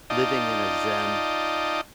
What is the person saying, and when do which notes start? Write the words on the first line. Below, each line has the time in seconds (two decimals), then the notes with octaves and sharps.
living in a Zen
0.10 D#4 F4 D5 D#5 G5 A5